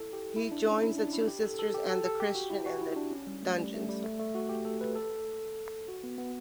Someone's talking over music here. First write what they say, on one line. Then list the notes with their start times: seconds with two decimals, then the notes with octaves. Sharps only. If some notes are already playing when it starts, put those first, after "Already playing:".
He joins the two sisters and the Christian in the dungeons.
Already playing: E4 A4
0.13 G4
0.36 E4
0.52 D4
0.66 C#4
0.82 E4
0.98 D4
1.13 E4
1.27 G4
1.43 A4
1.59 A4
1.74 G4
1.90 A4
2.05 A4
2.20 G4
2.35 F#4
2.50 E4
2.66 F#4
2.81 E4
2.96 D4
3.11 C#4
3.27 G3
3.43 A3
3.58 G3
3.74 A3
3.89 G3
4.03 A3
4.19 A3
4.35 F#4
4.49 G4
4.65 A4
4.81 B4
4.96 A4
5.88 F#4
6.03 B3
6.18 B3